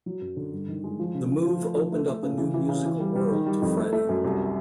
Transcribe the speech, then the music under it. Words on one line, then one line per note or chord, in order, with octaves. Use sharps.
The move opened up a new musical world to Freddie.
F#3
F#2
D3
G2
D#3
G#3
F3
C#3
F3
F3
A3
F3
A3
A3
C#3
E3
E3
C#3
E3
G3
G3
D#3
G3
F2
A3
A3
F#2
C2